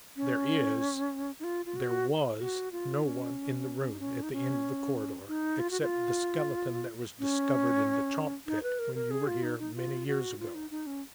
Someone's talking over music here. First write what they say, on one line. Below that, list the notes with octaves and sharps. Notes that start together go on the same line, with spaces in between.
There is--there was--no one in the room at the end of the corridor, except the skeleton that was discovered in the chalk-pit when you were here many years ago.
C#4
D#4
F4
F4
F#4
F#4
F4
C#4
D#4
C#4
D#4
C#4
D#4
F4
F#4
F4
C#4
D#4
B4
A#4
A#4
G#4
F4
D#4
D#4
F4
F#4
F4
D#4
D#4
C#4